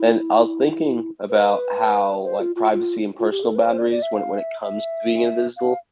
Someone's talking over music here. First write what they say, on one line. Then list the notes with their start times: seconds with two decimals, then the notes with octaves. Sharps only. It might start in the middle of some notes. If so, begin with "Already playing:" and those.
and I was thinking about how, like, privacy and personal boundaries when it when it comes to being invisible,
Already playing: E4
1.29 B4
2.24 C5
2.40 F4
2.55 F4
2.71 F4
3.19 F4
3.31 G4
3.43 A4
3.55 B4
3.66 C5
3.79 D5
3.90 D5
4.02 E5
4.14 F5
4.38 E5
4.61 E5
5.56 F5